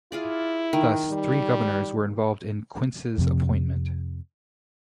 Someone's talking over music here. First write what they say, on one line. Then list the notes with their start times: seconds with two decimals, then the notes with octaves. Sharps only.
Thus, three Governors were involved in Quince's appointment.
0.12 E4 F4 G#4 D5
0.73 D#3
1.10 G3
3.18 F2 C3